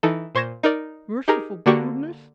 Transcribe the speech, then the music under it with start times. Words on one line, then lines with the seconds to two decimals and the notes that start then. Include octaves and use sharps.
"Merciful goodness!"
0.03 E3 D#4 A4
0.35 A#2 C5 C#6 G#6 A#6 E7
0.63 D#4 A#4 D5
1.28 D#4 G4 G#4 A#4 A#5
1.66 D3 A#3 D4 F#4 G4 C#6